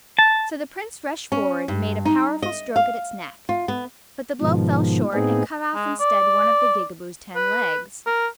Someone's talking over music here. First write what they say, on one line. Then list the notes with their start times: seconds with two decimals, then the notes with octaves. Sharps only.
So the Prince rushed forward and made a powerful stroke at its neck; but the blow fell short, and cut off, instead, one of the Gigaboo's ten legs.
0.19 A5
1.32 C#4
1.68 G2
2.05 D#4
2.42 D#5
2.76 F5
3.49 F4
3.68 B3
4.41 G#2 B2 D#3 F3
5.14 A2 B3 C4 D#4 G#4
5.75 G#3
6.00 D5
7.36 B4
8.07 A#4